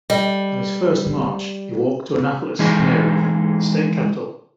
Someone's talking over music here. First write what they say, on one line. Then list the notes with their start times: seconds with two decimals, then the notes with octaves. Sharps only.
On his first march he walked to Annapolis, Maryland, the state capital.
0.10 G3 D#5
2.59 E3 G#3 D#4 G#4